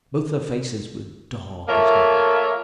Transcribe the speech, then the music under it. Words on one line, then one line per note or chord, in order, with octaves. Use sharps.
Both their faces were dark as night.
F3 A3 A#3 A#4 C#5 E5